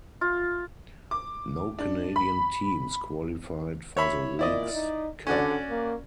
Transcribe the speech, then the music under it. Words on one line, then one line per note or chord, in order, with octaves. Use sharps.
No Canadian teams qualified for the Leagues Cup.
F4
D6
D4
B5
C#5 E5 B5
A#2 E4 D5 D#5
D#4
D3 C#4 F#4 D5
A#3